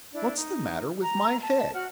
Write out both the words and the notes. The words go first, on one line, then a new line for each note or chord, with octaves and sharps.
What's the matter with my head?
D4 E4
D#4
A#5
A5
F#4 F#5 F6